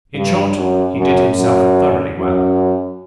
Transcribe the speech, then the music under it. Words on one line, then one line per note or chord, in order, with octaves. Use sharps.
In short, he did himself thoroughly well.
G2
F#2
F#2
F#2
F#2